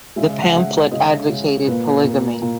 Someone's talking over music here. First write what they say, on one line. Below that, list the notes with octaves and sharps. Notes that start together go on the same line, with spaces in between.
The pamphlet advocated polygamy.
C#3 G#3 E5
E5
F#5
C#3 G#3 E5
C#3 G#3 D#5
C#3 G#3
A#2 A#3 B4
A#2 A#3
A#2 A#3